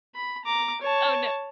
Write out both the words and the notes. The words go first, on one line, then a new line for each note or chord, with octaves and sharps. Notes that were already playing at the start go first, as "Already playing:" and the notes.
Oh, no.
B5
A#5 D6
C#5 A5